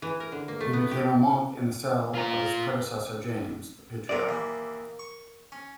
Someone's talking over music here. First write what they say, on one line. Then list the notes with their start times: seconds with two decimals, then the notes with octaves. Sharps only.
He became a monk in the cell of his predecessor James, the Patriarch.
0.02 E3
0.20 A#4
0.32 D3
0.48 A#3
0.61 A3
0.73 B3
0.91 G4
2.15 F4 A#5
4.09 C3 F#3 A#4 D5
4.29 D#2 E3 A#3
4.99 C#6
5.52 C#4